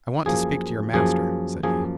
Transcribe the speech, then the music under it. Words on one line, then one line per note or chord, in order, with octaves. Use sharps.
'I want to speak to your master,' said he.
F#2 F3 A#3 G#4
F#2 F3 A#3 G#4
F#2 F3 A#3 G#4